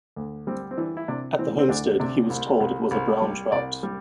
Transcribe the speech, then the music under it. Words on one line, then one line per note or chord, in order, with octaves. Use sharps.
At the homestead, he was told it was a brown trout.
D2
G3 C4
C4
E3 D4
E4
C3 D4
E3 C4
C4
D2 D4
C3 D4
C2
C2
C2
G3
C2 D5
G3